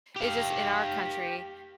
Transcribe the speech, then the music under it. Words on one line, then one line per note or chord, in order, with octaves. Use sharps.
it's just in our country,
G4 F5